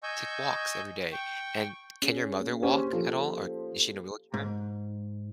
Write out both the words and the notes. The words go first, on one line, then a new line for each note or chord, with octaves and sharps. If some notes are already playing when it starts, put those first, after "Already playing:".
take walks every day. And can your mother walk at all, or is she in a wheelchair?
D#5 G#5 C#6 E6 G6
G5 C#6
C#4 G#4
A#3
C#4 G4 C5
F3 G4 A4
G#2